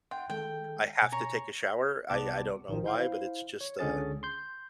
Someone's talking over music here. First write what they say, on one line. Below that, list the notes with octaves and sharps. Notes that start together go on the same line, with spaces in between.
I have to take a shower. I I don't know why, but it's just, uh,
E5 F#5 G5 C6
D#3 G#3 A4 G5
B2 G#5
C#5 A#5
C2 G3 B3 A5 D6
A1 D#3 F3
E4 C5 F5
C#5
C#2 D3 C#4 G#4 A6
C6 G6